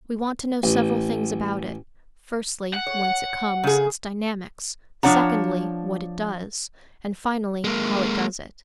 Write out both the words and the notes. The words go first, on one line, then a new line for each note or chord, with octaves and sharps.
We want to know several things about it; firstly, whence it comes, its dynamics; secondly, what it does; and finally, how it does it.
A1
F#5
C#5
C#3 G#4
F3 D4 C#5 F#5 A#5
G#3 A#3